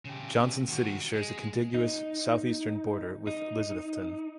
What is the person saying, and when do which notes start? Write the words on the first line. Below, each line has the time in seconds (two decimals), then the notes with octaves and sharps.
Johnson City shares a contiguous southeastern border with Elizabethton.
0.05 C#3 G4
0.68 D#3 F#4
1.13 G#3
1.74 D#4
3.27 D#4